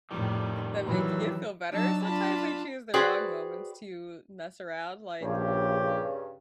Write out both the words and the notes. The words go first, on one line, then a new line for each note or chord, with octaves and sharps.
them making it feel better. Sometimes they choose the wrong moments to mess around, like,
F2 A2 D#3 G3
E3 F#3
F#3 D4 D#4 A5 E6
D4 F4 A5 B5
F#4 G#4 B4 C5 D5 G5
A#1 G2 C#3 G4